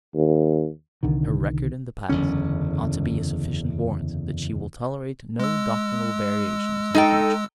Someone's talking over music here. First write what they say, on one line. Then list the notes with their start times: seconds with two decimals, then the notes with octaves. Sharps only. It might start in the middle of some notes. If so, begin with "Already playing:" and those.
Her record in the past ought to be a sufficient warrant that she will tolerate no doctrinal variations in the future.
0.15 D#2
1.03 C2 D3 D#3
2.09 F#1 E2 D3 C#4
5.40 G#3 E6
6.95 D#4 A4 G5